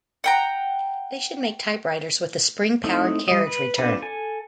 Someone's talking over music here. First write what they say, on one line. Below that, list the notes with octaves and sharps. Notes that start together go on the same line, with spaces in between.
They should make typewriters with a spring-powered carriage return.
F#5 G5 A#5
A3 C4 D#4 E4
G3 D#5
B4
C4 D4 F4 A4 B4
A4 G#5